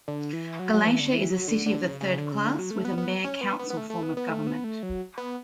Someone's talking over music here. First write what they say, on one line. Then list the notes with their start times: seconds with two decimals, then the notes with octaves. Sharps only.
Galatia is a city of the third class with a mayor-council form of government.
0.08 D3
0.33 E3
0.59 F#3
0.74 F#3
0.86 E3
1.00 D3
1.13 E3
1.31 F#3
1.48 D3
1.66 D3
1.83 C#3
2.01 C#3
2.18 D3
2.32 C#3
2.45 D3
2.59 F#3
2.71 A3
2.85 B3
2.98 B3
3.24 C#4
3.41 B3
3.59 B3
3.70 B3
3.77 A3
3.90 A3
4.03 B3
4.17 B3
4.29 A3
4.47 B3
4.64 A3
4.83 F#3
5.18 B3